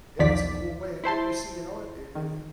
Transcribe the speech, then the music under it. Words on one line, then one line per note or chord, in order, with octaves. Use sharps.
yeah, it's a cool way and then you see you know what? Eh eh
B1 E2 D#3 F3 D5 B6
E4 C5 A5 C6
D#3